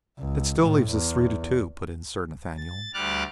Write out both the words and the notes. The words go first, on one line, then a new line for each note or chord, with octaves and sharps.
"That still leaves us three to two!" put in Sir Nathaniel.
C#2
A2
E2
A6
D2 G3 D6 F6 F#6 A6